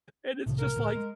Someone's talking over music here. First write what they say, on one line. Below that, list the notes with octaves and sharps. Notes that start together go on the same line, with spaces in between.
and it's just, like,
C2 A2
A#4
D2 A2
G#3